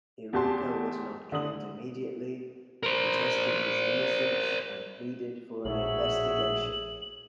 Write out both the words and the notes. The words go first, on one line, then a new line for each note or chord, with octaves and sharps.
Iruka was not killed immediately, but protested his innocence and pleaded for an investigation.
E2 F#4 G4 A5 C6
D3 D#6 F#7
A#4 C5
A#1 A2 F#4 G#4 C#5 E5 F#7